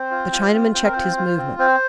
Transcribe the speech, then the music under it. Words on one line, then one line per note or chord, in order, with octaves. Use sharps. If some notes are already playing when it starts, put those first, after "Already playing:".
The Chinaman checked his movement.
Already playing: C4 C5
F4
F4
C4
C4 C5
A#4
F4 C5
F4
C4
C4 C5